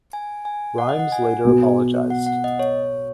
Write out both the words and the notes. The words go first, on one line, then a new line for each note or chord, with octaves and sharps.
Rhymes later apologized.
G#5
G#5
F#5
D#5
F#5
G#5
B2 B3 F#4
F#5
F#5
D#5
C#5